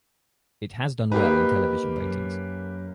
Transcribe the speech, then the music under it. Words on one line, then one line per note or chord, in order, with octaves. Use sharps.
It has done well in television ratings.
A#3 D#4 G4 B4
F#2